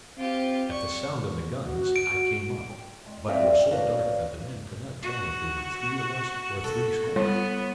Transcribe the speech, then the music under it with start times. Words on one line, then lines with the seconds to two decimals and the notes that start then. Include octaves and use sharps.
At the sound of the guns I came up, but it was so dark that the men could not tell if there were three of us or three score.
0.18 C4 F4 G4
0.72 D5 C#6
1.65 F#4
1.96 D7
2.70 G5
3.06 G#3
3.28 C4 D5 E5 F5 G5
3.70 F#2 F3 F#4 B4 D5 F5
5.03 F#4
6.64 A4
7.16 G3 B3